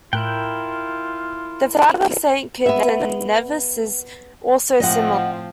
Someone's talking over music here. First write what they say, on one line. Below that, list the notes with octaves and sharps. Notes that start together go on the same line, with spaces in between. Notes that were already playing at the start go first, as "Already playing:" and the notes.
The Flag of Saint Kitts and Nevis is also similar.
A2 E4 F4 A#4 G5 F#6 G6
B3 E5
A2 F3 C4 D#5 F#5